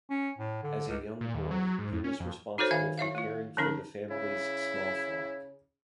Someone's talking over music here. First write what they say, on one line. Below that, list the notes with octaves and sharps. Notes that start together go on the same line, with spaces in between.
As a young boy, he was responsible for caring for the family's small flock.
C#4
A2
D3
C#2
A#2
D#2
F#3
F#3
G#2
F2
C#4
F2
D#4 F#4 A4 C5 C#5
D#3 E5 F5 G#5
E4 C#5 E5 F5
A3 F4
D3 F3 C#4 D#4 A#4
C#3 E4